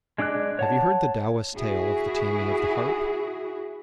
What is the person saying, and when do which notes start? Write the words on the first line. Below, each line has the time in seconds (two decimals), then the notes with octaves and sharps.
Have you heard the Taoist tale of the Taming of the Harp?
0.18 G#3 D4 D6 E6 F#6
0.59 C#5 F#5 A5
1.56 E4 F#4 G#4